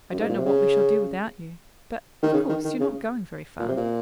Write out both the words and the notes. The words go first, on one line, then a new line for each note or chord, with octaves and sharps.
"I don't know what we shall do without you. But, of course, you're not going very far?"
F#2
G#2
A#2
C3
C#3
D#3
C#3
D#3
D#3
C#3
A#2
C3
A#2